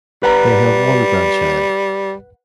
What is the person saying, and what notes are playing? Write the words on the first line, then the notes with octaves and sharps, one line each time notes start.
They have one grandchild.
G3 B4 F#5 A#5